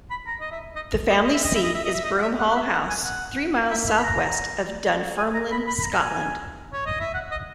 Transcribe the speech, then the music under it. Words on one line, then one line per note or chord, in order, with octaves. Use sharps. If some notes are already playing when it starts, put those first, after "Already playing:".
The family seat is Broomhall House, three miles south-west of Dunfermline, Scotland.
B5
A#5
D#5
E5
D#5
D#5
D#5
E5
D#5
E5
D#5
E5
D#5
E5
D#5
F#5
E5
F#5
F#5
E5
F#5
G#5
F#5
E5
E5
B5
A#5
G#5
A#5
B5
B5
B5
A#5
G#5
C#5
D#5
E5
F#5
D#5